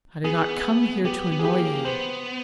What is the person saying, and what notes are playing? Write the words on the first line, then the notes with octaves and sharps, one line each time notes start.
I did not come here to annoy you.
B3 G#4
B3 G4
B3
G#4
G4
A#3
B3 C5